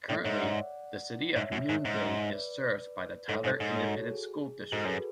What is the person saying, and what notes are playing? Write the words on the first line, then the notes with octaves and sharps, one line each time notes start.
Currently, the City of Noonday is served by the Tyler Independent School District.
A2 A4 C#5
G#2 C#5 E5
D5 F#5
G#2 C#5 E5
F#2
G#2
G#2
B4 D5
G#2 A4 C#5
G#2
G#2
A4 C#5
F#4 A4
F#4
G#4
G#2 F#4 A4
F#2 G#4 B4